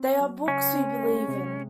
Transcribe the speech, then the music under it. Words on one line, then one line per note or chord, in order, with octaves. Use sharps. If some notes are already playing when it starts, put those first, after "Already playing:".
They are books we believe in.
Already playing: C4
F#3
C#3 C#4
C4
G#3
C3